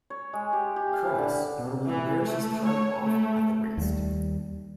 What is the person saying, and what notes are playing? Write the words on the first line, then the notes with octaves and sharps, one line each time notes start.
Curtis notably wears his tied off at the waist.
C#5
G#3
G4
G4
F5
E3
D3
E3
A3
C#5
A3
D#2 G3